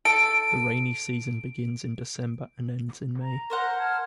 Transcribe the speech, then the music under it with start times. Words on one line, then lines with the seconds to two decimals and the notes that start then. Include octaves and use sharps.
The rainy season begins in December and ends in May.
0.05 A4 D7
3.20 A#5
3.50 A#4 C5 F#5
3.78 A5 F6 G#6